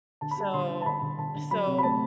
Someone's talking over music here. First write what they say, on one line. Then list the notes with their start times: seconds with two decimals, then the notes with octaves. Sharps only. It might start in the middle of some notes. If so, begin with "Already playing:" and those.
So, so
0.21 D3 A5
0.31 B5
0.38 G3 A5
0.54 D3 C6
0.70 D4
0.81 A5
0.86 D3 B5
1.02 D3
1.18 D3 A5
1.35 D3
1.51 F#3 B5
1.67 C3
1.78 B5
1.83 A3 A5